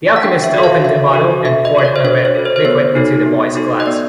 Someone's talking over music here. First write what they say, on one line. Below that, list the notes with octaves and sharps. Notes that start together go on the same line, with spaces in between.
The alchemist opened a bottle and poured a red liquid into the boy’s glass.
F#5
D4 G5
E5
F#4 A4
F5
D4 E5
F#4 A4
D4 E5
D#5
F#4 A4 C#5
D5
C5
D4 C#5
C#5
F#4 A4
C5
C5
B3 C#5
D#4 F#4 A4
B3
D#4 F#4 A4
D#5
B3 D5